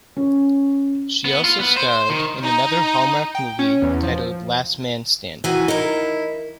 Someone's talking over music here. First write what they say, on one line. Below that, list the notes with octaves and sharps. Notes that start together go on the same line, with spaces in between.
She also starred in another Hallmark movie titled "Last Man Standing".
C#4
B3
F4
B3
C5
D#3
D#4
G5
C#4
E2
F3
D#3 E3 F#4 G#5
D#4 E4 A#4